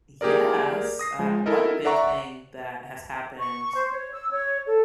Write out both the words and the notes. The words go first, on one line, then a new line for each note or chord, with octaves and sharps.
yes, uh, one big thing that has happened,
A#3 G4 G#4 A#4 D5
D#6 A#6 C7
F3 G#3
E4 A4 A#4 D#5
D5 E5 F#5 A#5 C#6
C#6
C5
C#5
E6
C#5
A4